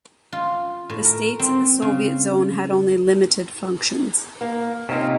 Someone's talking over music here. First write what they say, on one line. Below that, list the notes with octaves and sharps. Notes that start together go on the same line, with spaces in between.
The states in the Soviet zone had only limited functions.
F4
A2
A#4
C4
C#3
A#3
C3 A#3 C#4 D#4 F4